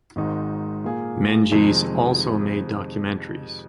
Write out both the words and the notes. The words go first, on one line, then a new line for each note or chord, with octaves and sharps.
Menges also made documentaries.
G#1 G#2 D#3 G#3 D#4
A#2 A#3 G#4
F2 C3 D#3 G#3